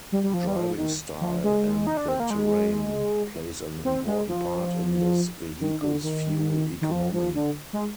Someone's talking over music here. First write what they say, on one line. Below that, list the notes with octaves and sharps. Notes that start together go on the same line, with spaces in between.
Driving style and the terrain plays an important part in this Vehicle's fuel economy.
G3
G3
F3
G3
F3
D#3
F3
G#3
D#4
D4
C4
A#3
G#3
C4
G#3
F3
D#3
D3
D#3
D#3
F3
F3
D3
G#3